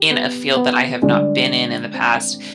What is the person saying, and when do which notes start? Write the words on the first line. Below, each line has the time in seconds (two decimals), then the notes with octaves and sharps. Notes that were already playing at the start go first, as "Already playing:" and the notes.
in a field that I have not been in in the past
Already playing: G4
0.11 B3
0.57 B3
1.02 D3 G3 G#3 D4
1.94 C4